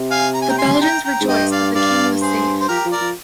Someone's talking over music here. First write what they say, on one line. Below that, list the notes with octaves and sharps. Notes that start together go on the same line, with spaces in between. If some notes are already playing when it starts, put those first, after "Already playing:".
The Belgians rejoiced that the king was safe.
Already playing: C3
F5 G#5
A#5
G#5
G5 A#5
G#5 C6
C6
G5 A#5
G5 A#5
G#2
G2 D#5 G5
D5 F5
G2 D5 F5
G#4 C5
C5
F3 G4 A#4
F3
A#4 D5
F3